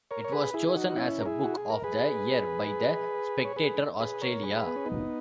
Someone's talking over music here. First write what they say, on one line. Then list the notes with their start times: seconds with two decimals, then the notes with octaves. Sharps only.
It was chosen as a Book of the Year by the "Spectator Australia".
0.11 A#4 C#5
0.24 C#5
0.32 G#4 B4
0.53 E4 G#4
0.75 D#4 F#4
0.89 F#4
0.97 C#4 E4
1.20 A#4
1.26 E4 G#4
1.43 F#4
1.57 G#4
1.69 A#4
1.84 G#4 B4
3.45 C#5
3.56 G#4 B4
4.00 G#4 B4
4.21 A#4 C#5
4.42 G#4 B4
4.67 B3
4.76 C#4
4.86 B3 D#4